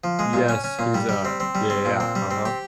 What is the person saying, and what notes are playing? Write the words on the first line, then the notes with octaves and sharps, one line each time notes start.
Yes, he's, uh Yeah, yeah, yeah, uh-huh.
F3
G#3
A#2
C#4
C#4
A#2
G3
G3
C4
C4
G3
C4
A#2
C4
G3
C4
G4